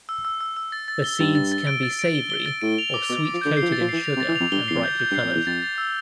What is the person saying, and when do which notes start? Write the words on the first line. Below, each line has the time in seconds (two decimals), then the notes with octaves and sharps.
The seeds can be savory or sweet-coated in sugar and brightly colored.
0.09 E6
0.25 E6
0.41 E6
0.57 E6
0.72 A6
0.88 A6
1.04 G7
1.20 G2 A6
1.35 A6
1.52 A6
1.67 D7
1.83 A6
1.99 D7
2.15 G7
2.30 G7
2.46 A6
2.61 A2 D7
2.78 F7
2.94 D6
3.09 B2 D6
3.25 D6
3.33 F3
3.41 D3 G6
3.57 C7
3.62 F3
3.69 E3
3.72 A6
3.81 F3
3.89 E3 C7
4.04 F7
4.16 C3
4.20 A6
4.28 E3
4.36 F2 F7
4.52 G2 G7
4.68 E2 C7
4.75 F2
4.83 G6
5.00 G6
5.11 G2
5.15 C7
5.24 F2
5.31 E2 G6
5.46 F2 A6
5.63 A6
5.78 E6